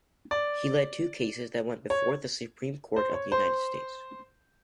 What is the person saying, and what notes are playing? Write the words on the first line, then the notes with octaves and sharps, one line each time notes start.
He led two cases that went before the Supreme Court of the United States.
D5
C#5
C5
C#5
C5